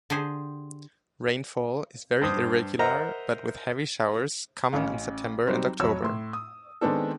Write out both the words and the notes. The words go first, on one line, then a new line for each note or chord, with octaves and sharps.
Rainfall is very irregular but with heavy showers common in September and October.
D3 G4 G#4 C5
G2 C5 D#6
A#4 C5 D#5 E5 F#5 A#5
A1 C#4 F5
F#3 G3 C4 D#4
F1 F#3 C#5 E6
A2 C6
D#6
D#3 G#3 B3 C4 D4 A4